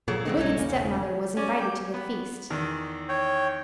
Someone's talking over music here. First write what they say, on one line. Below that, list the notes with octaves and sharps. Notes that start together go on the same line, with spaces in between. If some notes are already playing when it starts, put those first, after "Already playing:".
The wicked stepmother was invited to the feast.
A#2 F3 F#3 G#4 A4
G2 D3 C4 D#4
B1 G3 C#4 D#4 A4
E1 C#3 A#3
C#4 D5
G5 D6
B3
E2 D#3
C#5 G5